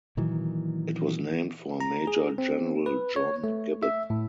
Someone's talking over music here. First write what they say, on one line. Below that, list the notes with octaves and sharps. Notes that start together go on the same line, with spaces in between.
It was named for Major General John Gibbon.
A#2 D#3 E3 F#3
A#5
G#4
C4
B4
C#5
A3
E5
A2